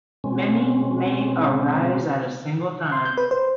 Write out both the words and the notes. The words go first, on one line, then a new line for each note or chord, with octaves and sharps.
Many may arise at a single time.
B2 G#3 C4 C#4
C6
G6
B4
C5